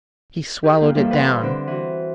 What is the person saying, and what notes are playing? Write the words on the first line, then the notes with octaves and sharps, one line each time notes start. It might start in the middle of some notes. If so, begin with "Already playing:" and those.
He swallowed it down.
G4 G#4 G5
A#3 F4
F2 E3 G3 A#3 A4
B4 F#5 B5 C6
D3 C4
E3 F#4